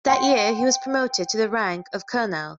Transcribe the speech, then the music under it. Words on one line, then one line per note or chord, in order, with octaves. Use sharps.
That year, he was promoted to the rank of colonel.
F#5 G5 C6